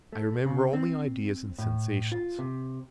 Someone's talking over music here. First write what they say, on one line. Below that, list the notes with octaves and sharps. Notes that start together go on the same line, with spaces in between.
I remember only ideas and sensations.
A3
C#3
C4
A2
F4
C3